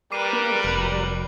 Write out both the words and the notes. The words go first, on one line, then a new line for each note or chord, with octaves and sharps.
Kudos to you,
G3 A#4 B4 D6 C7 D#7
F1 F#7